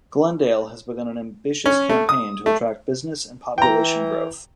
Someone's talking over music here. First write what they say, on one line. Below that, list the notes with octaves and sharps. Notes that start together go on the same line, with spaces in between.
Glendale has begun an ambitious campaign to attract business and population growth.
C#4
A3
D#6
A3
E3 G5 A#5